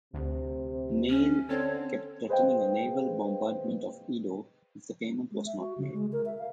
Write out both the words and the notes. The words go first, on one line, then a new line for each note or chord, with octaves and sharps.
Neale kept threatening a naval bombardment of Edo if the payment was not made.
D2 C3
C#4
D3 C4 A4 C#5
G#4 B4 C5 D#5 F5 G5
G#3
E5
F#4
C#3
G#3
A#4
E5
F5